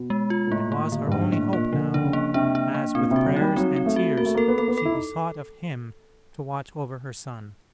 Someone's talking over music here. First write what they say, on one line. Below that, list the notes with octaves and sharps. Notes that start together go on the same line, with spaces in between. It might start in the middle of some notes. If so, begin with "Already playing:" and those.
It was her only hope now, as with prayers and tears she besought of Him to watch over her son.
Already playing: B2
G#3
F4
A#2
A2 A#3
A#3
D3
G2
G#2 D4
A2 A#3
A#2 A#3
D3 F3
D3 D4
C#3
A#3
C3 D4
D4
A#3
A#2 C4
C3
F#4
F#3
G3 D#4
F#3 C4
C4
A3
F#4
A#3 F#4
A3
A#3 A4
B3
A#3 A4
B3
A4
E4
D#4